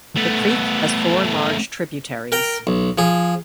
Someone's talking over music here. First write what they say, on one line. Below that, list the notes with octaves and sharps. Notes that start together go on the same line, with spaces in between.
The creek has four large tributaries.
A3 B3
A#4 G5 A#5
B1
F3 G#4